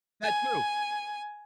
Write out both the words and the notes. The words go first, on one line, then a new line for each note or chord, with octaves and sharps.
That too,
G#5